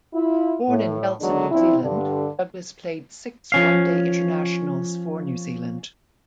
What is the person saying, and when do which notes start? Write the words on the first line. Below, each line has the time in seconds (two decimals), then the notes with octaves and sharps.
Born in Nelson, New Zealand, Douglas played six One Day Internationals for New Zealand.
0.14 E4 F4
0.68 A2
1.20 E2 D3 D#3 F#3 G#3 D4
1.51 F3 C4 D4 E4
1.82 G2 D3
3.52 F3 C#4 F5